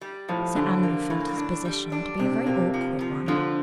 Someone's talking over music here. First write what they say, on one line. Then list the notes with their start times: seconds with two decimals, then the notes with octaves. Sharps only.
Sir Andrew felt his position to be a very awkward one.
0.01 G3
0.29 A2 F3
0.55 D3 D4
0.83 A#3
1.10 A2
1.38 D4
1.65 G3
1.92 D4
2.19 C3 D4
2.46 C3 A#3
2.74 F3
3.01 F3
3.28 D3 F3